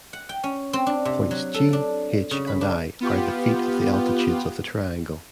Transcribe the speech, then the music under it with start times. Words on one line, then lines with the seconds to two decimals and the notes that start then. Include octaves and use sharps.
Points "G", "H", and "I" are the feet of the altitudes of the triangle.
0.13 F#5
0.29 G5
0.44 C#4
0.73 C4
0.87 D4
1.05 C3
1.31 F#3
1.54 A4
1.73 D4
2.31 C#3
2.47 B5
2.61 D4
3.00 B3 F4 G4